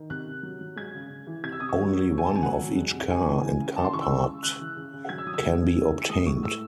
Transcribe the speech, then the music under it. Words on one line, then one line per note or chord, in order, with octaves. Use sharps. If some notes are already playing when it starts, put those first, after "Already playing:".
Only one of each car and car part can be obtained.
Already playing: D#3
C3 F#6
C3
F#3
F#3
G#3 G#6
C#3
C#3
E3
C3 G#6
E6
C3 D#6
C#6
F#3
F#3
C3
G#5
C3 A5
G#5
F#3 F#5
F#3
G#3
C3
C3 G#5
E3
G#3
C#3
C#3 A5
C6
E3 C#6
E6
G#3
C#3
C#3 F#6
E3
C#3
C#3
F#3 G#6
E6
F#3 D#6
E6
G#3
C#3
C#3
E3
G#3 D#6
A2 C#6
A2 E6